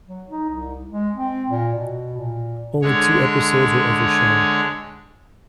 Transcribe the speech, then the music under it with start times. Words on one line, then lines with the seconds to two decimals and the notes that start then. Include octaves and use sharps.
Only two episodes were ever shown.
0.07 F#3
0.29 D#4
0.50 C2
0.90 G#3
1.15 C4
1.50 A#2
1.74 B2
2.18 A#2
2.82 D3 G#3 C#5